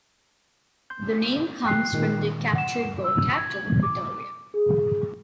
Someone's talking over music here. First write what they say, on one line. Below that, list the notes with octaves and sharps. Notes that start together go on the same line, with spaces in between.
The name comes from the captured Boer capital, Pretoria.
C6 G6
G5 F#6 C7
A#2 D#3 G#3
F#5 E7
E6
G#6
D6
G#4